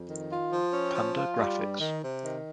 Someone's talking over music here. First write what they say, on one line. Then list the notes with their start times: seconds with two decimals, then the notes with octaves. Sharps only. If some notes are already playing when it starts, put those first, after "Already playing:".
Panda Graphics.
Already playing: F2
0.09 D#3
0.31 F4
0.52 F3
0.73 C#4
0.94 F3
1.17 F4
1.38 G3
1.60 G2
1.80 D#3
2.02 C3
2.24 D#3